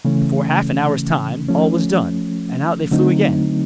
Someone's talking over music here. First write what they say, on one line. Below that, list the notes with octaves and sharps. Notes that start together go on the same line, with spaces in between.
Before half an hour's time all was done, and out they flew again.
C#3 E3 A3 C#4
F3 A3 C#4
D3 F#3 A3 C4 D#4